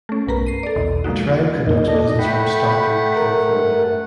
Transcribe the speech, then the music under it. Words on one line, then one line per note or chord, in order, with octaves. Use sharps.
The tribe conducts business from Stockton, California.
A3 C#4
B1 G2 A#4 B4 A#5
C7 D#7
A4 D5
B1 E2 B2 D#3
F3 G#3 A#3 D#4 F#4
F2 A#3 D#4
D#4 A4 D5 D#5
A3 F#5 G5 B5
A#4